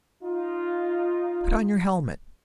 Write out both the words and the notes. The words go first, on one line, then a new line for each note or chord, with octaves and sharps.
"Put on your helmet!"
D#4 F4